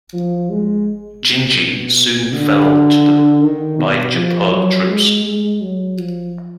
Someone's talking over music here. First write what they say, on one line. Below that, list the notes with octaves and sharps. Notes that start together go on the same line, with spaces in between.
Gingee soon fell to the Bijapur troops.
F3
G#3
B2
D3
D#3
B2
F3
F#3
G#3
G#3
F#3
F3